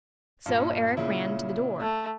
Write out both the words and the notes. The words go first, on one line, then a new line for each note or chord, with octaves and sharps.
So Eric ran to the door.
G2 A#2
A#2 C#3 E4
A3